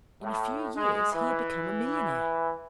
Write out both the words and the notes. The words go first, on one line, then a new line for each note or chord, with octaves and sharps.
In a few years, he had become a millionaire.
A2
G#3
E3